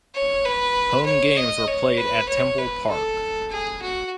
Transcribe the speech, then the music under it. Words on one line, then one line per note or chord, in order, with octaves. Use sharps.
Home games were played at Temple Park.
C#5
B4
C#5
D#5
C#5
B4
C#5
B4
A4
G#4
F#4